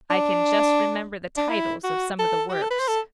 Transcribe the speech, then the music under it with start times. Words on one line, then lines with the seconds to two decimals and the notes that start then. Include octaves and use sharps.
I can just remember the titles of some of the works.
0.10 D4
1.37 D4
1.49 E4
1.84 F#4
2.19 A4
2.49 F#4
2.54 G4
2.62 A4
2.71 B4
2.79 C5
2.88 A4